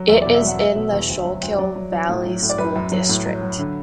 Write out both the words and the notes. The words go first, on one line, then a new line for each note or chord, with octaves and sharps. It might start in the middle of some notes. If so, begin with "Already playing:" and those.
It is in the Schuylkill Valley School District.
Already playing: F#3
E2 E5
B2 D5
E5
F#3
F#5
F#3 E5
B2
E2
D2
F#3
D2
F#3 D5
F#3
F#3
A2
F#3
A2
D5
F#2 B4
F#2
F#3
A2
F#3
F#3
D3